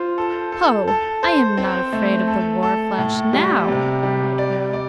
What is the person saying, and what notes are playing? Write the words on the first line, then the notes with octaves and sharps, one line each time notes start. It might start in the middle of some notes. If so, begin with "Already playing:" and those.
"Ho, I am not afraid of the war flash now," cried Harald.
Already playing: F4 C5
A4
A4
A4
C5
C4
A3
A4
A4
A2
G3
C3
G3
D5
D5